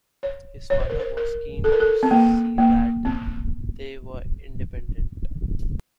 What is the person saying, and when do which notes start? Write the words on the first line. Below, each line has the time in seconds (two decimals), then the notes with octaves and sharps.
His father was keen to see that they were independent.
0.23 C#5
0.70 C#5
0.80 C5
0.90 A#4
0.99 C5
1.17 A#4
1.64 A4
1.72 A#4
1.80 A4
2.03 C4
2.11 A#3
2.58 A#3
3.05 C4